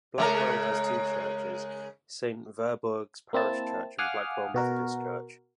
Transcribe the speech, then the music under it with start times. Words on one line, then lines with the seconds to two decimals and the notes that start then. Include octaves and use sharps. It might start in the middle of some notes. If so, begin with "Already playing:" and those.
Blackwell has two churches: Saint Werburgh's Parish Church and Blackwell Methodist Church.
0.18 C#3 G#3 A#4
3.33 A#3 C4 E4 A5
3.99 F5 F#5 G#5 D6 D#6 F6
4.54 B2 F#4 A#4